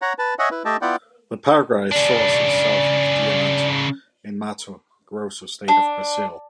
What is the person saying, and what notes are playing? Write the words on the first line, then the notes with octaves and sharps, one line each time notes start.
The Paraguay's source is south of Diamantino in the Mato Grosso state of Brazil.
C#5 F#5 A#5
B4 A5
C#5 D#5 E5 F#5 G#5
E4 B4
A3 G4 D#5 E5 G5 A5
B3 E4 F4 D5 F#5 G5
C#3 D4 D5
D4